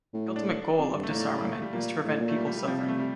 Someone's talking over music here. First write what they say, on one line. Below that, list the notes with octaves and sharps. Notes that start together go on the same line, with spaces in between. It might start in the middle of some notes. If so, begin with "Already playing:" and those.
The ultimate goal of disarmament is to prevent people suffering.
A2
D4
F2
G2
A3
A2 A#3
A3
G3
A#3
A3
G3
A#2 A#3
A2
A#2
A3
G3
G3
G3
C3 F3
G3
A3
G3